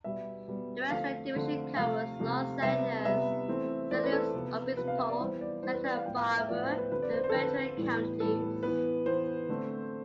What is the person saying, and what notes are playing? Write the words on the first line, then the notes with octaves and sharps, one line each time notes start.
The Western Division covers Los Angeles, San Luis Obispo, Santa Barbara, and Ventura Counties.
B2 G3 B3 E5
B2 G3 B3
D3 F3 A3 C4 F5
D3 F3 A3 C4
C3 F3 A3 F5
C3 F3 A3
C3 G3 B3 E5
C3 G3 B3 E5
E3 A3 C4
E3 A3 C4 D5
B4
A4
C3 F3 B3
C3 F3 B3 B4
F5
E5
D5
E3 G3 B3 C5
D5
E3 G3 B3 C5
B4
D5
F5
A2 F3 B3 G5
F5
F5
E5
A2 F3 B3 D5
C5
B4
D3 F3 C4 B4
D5
C5
C5
A4
D3 F3 C4 B4
A2 E3 G3 B3
A2 E3 G3 B3 A4
E3 B3 B4
E3 B3 C5
D3 A3 C4